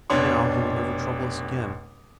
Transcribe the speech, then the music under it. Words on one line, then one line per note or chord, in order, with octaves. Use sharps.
Now he will never trouble us again.
F1 B2 D4 C#5 C6 C#6